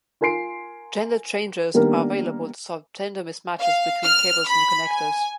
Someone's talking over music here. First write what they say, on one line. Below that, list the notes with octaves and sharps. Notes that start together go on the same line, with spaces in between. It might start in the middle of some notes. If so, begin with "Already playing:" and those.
"Gender changers" are available to solve gender mismatches between cables and connectors.
F4 A#4 G#5 C6 C7 D7
D#3 G3 A#3 B3 D4 A#4
F5
F6
B5
G#5